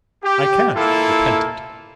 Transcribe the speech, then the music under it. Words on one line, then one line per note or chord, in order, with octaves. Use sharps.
I can't repent it.
G4
A#3 E4 F4 A4